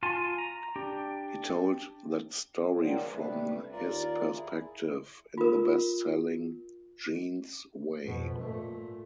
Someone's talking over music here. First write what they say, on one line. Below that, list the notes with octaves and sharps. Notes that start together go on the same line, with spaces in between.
He told that story from his perspective in the best-selling "Jean's Way".
F4 G#5 A5 C6
A#5
D4 G4
D#3 F#3 G3 A#3 G#4 C5
C3 G3 A3 D4 B4
D#2 F4 A#4 D5
E4 G#4
F4 A#4
F2 B2
A#2 A3